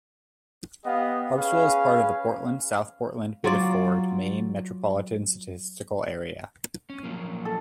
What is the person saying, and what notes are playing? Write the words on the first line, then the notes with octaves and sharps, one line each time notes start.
Harpswell is part of the Portland-South Portland-Biddeford, Maine Metropolitan Statistical Area.
B3 G4 D#5 F5 F#5
C#4 G#4 B4 F5
F#3 F4 D5
C#4
F3 F#3 A#3
A4